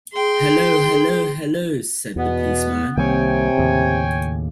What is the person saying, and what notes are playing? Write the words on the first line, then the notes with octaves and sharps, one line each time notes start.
"Hello, hello, hello" said the policeman.
G#4 G5 C6
E2 B2 B3
C2 C3 D#3 A#3 C#5 G5 G#5
D#2 A2 C#3